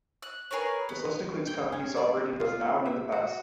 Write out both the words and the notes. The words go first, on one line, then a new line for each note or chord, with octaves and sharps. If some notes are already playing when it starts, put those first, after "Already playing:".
This list includes companies operating both now and in the past.
F#6
G#4 A#4 B4 C#5
B3
G5
C#4
D5
F4
E5
F#4